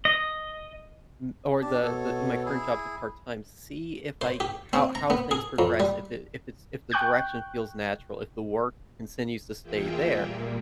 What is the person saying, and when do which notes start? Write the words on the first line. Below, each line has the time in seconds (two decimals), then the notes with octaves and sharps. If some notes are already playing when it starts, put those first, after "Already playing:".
n or the the, in my current job to part-time, see if I ca how how things progress, if it if it's if the direction feels natural, if the work continues to stay there.
0.05 D#5
1.62 D4 G4 A5
1.82 B2 A4 C#5
2.45 E4 G#4
4.21 C5
4.40 G4
4.73 C4
4.95 A#5
5.10 B3
5.31 G#4
5.59 F2
5.80 G3
6.92 G5 C#6 F#6 G6
9.62 E2 A#3 F4 G#4 E5 G5
10.13 A#2 G3 A#3